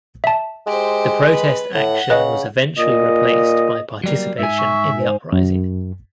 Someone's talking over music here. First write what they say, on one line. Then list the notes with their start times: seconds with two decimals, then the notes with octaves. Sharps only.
The protest action was eventually replaced by participation in the uprising.
0.24 E5 A5
0.67 G#3 G4 C5
1.30 B4
1.74 A2 F#5
2.10 C#3 B4 D#5
2.79 A#2 D#5
4.04 F#3 G3 A#3
4.39 G#2 E5 G#5
4.58 C#6
4.99 C5
5.33 F#2